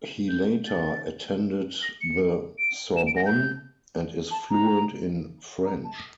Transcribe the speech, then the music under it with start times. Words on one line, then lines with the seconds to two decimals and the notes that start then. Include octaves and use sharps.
He later attended the Sorbonne and is fluent in French.
0.29 G6
0.67 A6
1.83 A#6
2.01 C#7
2.59 D7
2.97 E7
3.07 D7
3.16 A#6
3.26 G6
4.31 A5
4.50 A#5
5.65 A#5
5.84 A5